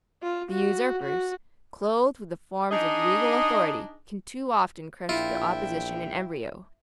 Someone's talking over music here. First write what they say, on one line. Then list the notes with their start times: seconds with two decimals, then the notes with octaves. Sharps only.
The usurpers, clothed with the forms of legal authority, can too often crush the opposition in embryo.
0.23 F4
0.51 F#4
1.02 F#4
2.71 D4 D#4 G#4 D#5
5.09 A#1 E4 F4 E5 G5